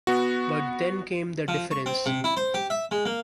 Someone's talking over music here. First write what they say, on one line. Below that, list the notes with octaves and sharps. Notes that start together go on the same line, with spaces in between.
But then came the difference.
B3 F#4
F3
C#6
C4
C3
E4
C5
G4
E5
G#3
A#3